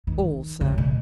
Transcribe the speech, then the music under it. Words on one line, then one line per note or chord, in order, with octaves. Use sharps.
"All, sir."
D#3
C#3
B2